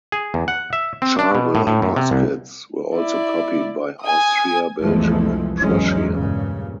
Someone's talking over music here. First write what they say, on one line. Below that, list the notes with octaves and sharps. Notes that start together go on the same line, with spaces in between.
Charleville muskets were also copied by Austria, Belgium and Prussia.
G#4
E2
F#5
E5
C4
D4
B2
A2
A2
F#2
C3
C2
E4 D5
G#5 D#6
C2 F2 E3 F3 G#3 A3
F#1 E2 G#2 F#3 G#3 C#4
G2 A#2 C#3